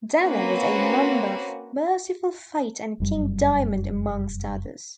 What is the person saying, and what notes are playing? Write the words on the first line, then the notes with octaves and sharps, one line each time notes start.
Denner was a member of Mercyful Fate and King Diamond amongst others.
A#3 C4 C#4 F#4 B4
F1 F#2 G3